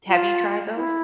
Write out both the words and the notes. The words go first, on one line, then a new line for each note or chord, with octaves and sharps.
Have you tried those?
F4
E4